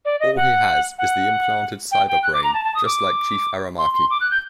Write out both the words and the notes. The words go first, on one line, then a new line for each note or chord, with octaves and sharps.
All he has is the implanted cyber-brain, just like Chief Aramaki.
D5
D#5
F#5
F#5
G5
G5
F#6
D6
A#5
A5
A5
D#6
D6
C6
C6
D6
F#6
G6